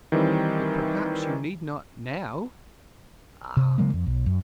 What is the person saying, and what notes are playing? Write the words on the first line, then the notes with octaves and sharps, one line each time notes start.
"But perhaps you need not now?"
D#3 E3 G3 C4
C3
C#3 F#3 G#3 A#3
F2
B1
F#2